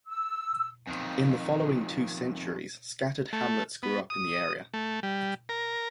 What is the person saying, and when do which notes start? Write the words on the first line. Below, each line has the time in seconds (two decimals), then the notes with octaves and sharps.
In the following two centuries, scattered hamlets grew up in the area.
0.06 E6
0.88 F2 D#3
3.33 A3
3.83 B3
4.10 D#6
4.74 A3
5.03 G3
5.49 A#4